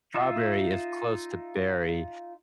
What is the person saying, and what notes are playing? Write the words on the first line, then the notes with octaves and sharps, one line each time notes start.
strawberry is close to berry,
D#4 F4 E5